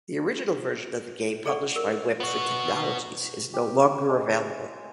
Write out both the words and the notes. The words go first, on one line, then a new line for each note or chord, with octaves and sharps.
The original version of the game published by Webfoot Technologies is no longer available.
G#4 A4 D5 F#5 C#6
A#4
B3 F#4
G4
G#3